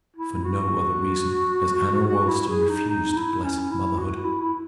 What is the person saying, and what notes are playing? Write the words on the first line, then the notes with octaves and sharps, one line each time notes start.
For no other reason has Anna Roylston refused blessed motherhood.
E4
F#4
F#4
E4
G#4
D#4
D#4
D#4
E4
C#4
E4
F#4
E4
E4